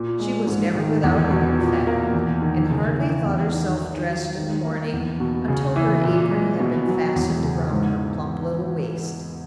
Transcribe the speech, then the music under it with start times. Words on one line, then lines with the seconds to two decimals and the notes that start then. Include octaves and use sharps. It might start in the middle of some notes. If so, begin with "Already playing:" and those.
She was never without it, in fact, and hardly thought herself dressed in the morning until her apron had been fastened around her plump little waist.
Already playing: A#2
0.20 G#3
0.47 G#2
0.75 D#3
1.03 E2
1.31 B2
1.59 A#2
1.87 A#3
2.14 E2
2.42 D#3
2.70 C#3
2.98 E3
3.25 E2
3.54 D#3
3.82 D#3
4.10 F#3
4.37 D#3
4.65 A#3
4.93 E2
5.20 B2
5.48 C#3
5.76 E3
6.04 A#2
6.31 G#3
6.60 B2
6.87 F#3
7.16 E2
7.43 C#3
7.71 G#2